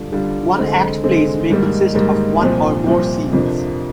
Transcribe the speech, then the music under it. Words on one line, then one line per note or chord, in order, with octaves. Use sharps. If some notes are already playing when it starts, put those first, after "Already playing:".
One-act plays may consist of one or more scenes.
Already playing: D3 G3 D4 F4
D3 G3 D4 F4
D3 G#3 C4
D3 G#3 C4
G#2 D#3 G3 A#3
G#2 D#3 G3 A#3
C2 A#2 F3 C4
C2 A#2 F3 C4
F2 C3 F3 A#3 D4